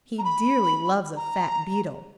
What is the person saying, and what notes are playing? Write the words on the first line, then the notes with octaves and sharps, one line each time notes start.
He dearly loves a fat beetle.
A#5
B5
A#5